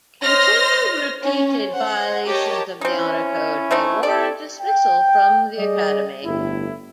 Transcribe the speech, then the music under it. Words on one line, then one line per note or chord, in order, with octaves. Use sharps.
Continued, repeated violations of the Honor Code may warrant dismissal from the Academy.
C5 C#5 D#5 C6 F6 A#6
C#4
C5 F#5
G4 A#4 C#5 D#5 A5
C4 C#4 D#4 E4
A3 C4 D#4
C4 G4 A4 D5
G5
G3 G#4 D5 D#5
G1 A2 E4